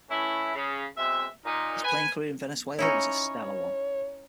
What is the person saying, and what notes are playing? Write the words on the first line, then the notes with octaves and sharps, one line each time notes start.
His playing career in Venezuela was a stellar one.
E3 A3 C#4 E4
C#3
B2 G#3 C4 E5
A#2 D#4
B4 G#5
C#4 D#4 E4 C#5